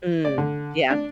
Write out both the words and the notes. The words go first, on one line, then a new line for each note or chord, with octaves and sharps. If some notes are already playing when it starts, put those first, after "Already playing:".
Mm, yeah.
D5
D3
D4